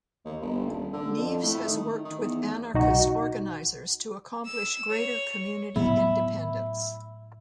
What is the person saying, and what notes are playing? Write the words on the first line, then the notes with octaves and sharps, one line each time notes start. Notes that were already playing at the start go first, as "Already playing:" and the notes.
Nieves has worked with "anarchist organizers" to accomplish greater community independence.
D#2
G1
D#1
D3
F2
A2
D#3
D#3
E2
B1 D#4 F#4
E6
C#5
A2 F#3 B3 E4